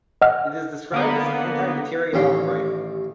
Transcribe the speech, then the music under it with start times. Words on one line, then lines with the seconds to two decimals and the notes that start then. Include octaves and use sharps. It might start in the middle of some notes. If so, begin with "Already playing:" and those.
It is described as an anti-materiel rifle.
0.22 D#5 F#5 F6
0.92 D3 A#3 B3
2.13 A1 D#2 C#4 G4 F5 C6